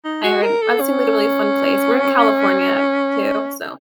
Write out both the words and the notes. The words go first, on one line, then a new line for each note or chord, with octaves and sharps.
I heard that seemed like a really fun place. We're in California too, so
D#4
F#4
A#4
A4
C#4